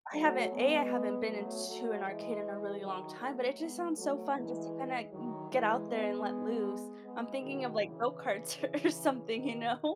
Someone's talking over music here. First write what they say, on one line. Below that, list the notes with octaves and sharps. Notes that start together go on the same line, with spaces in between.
I haven't a. I haven't been in to an arcade in a really long time, but it just sounds so fun just to kinda g get out there and let loose. I'm thinking of, like, go-karts or something, you know?
F#3 A3
G#3 B3
F#3 A3
F#3 A3
E3 G#3
D#3 F#3
F#3 A3
G#3 B3
F#3 A3
E3 G#3
D#3 F#3
E3 G#3
G#3 B3
G#3 B3
B2 D#3
C#3 E3
C#3 E3
B2 D#3